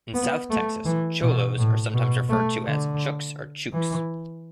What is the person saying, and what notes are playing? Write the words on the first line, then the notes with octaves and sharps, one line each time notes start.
In South Texas, cholos are sometimes referred to as chucs or chukes.
B3
A3
E3
B2
A2
B2
A3
D3
E3